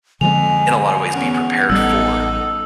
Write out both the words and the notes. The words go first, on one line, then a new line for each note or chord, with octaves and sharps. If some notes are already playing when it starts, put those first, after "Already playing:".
in a lot of ways, be prepared for
F2 D3 F3 G#3 G#5 F7
E2 C#4 F#5
A1 G3 B3 D#4 A4 E6